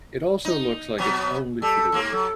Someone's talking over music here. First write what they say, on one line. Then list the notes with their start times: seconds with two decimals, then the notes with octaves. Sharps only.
it also looks like it's only for the rich.
0.45 D#4
0.98 B2 F#3 B3
1.62 G3 A4
1.92 G#2 A#3
2.12 F#3 A4